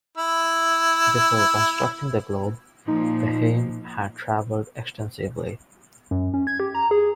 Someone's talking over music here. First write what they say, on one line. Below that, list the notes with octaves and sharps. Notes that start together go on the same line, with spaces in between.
Before constructing the globe, Behaim had traveled extensively.
E4 E6
A#2 F3 D#4
F#2
C#4
G#6
G4
A#5
G#4